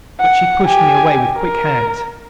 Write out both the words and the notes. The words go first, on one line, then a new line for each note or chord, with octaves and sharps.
But she pushed me away with quick hands.
F#5
G4 G#5
A#4